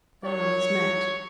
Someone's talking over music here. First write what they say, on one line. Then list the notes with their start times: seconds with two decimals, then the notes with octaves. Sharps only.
Their eyes met.
0.24 F#2 D#3 F#3 C#5